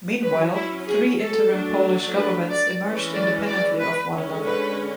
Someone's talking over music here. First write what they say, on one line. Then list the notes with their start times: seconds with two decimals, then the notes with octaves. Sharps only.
Meanwhile, three interim Polish governments emerged independently of one another.
0.23 F#3 C#4 B4
0.55 E4
0.87 G#4
1.20 A4
1.52 F#3 A3 D4
2.17 B4
2.50 D5
2.82 E3 G#3 C#4
3.14 D5
3.47 D5
3.80 B4
4.13 D3 G#3 C#4
4.45 B4